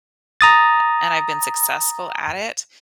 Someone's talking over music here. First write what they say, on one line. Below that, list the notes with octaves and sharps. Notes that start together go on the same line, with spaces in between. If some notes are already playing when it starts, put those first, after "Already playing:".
a and I've been successful at it,
A#5 D#6 A6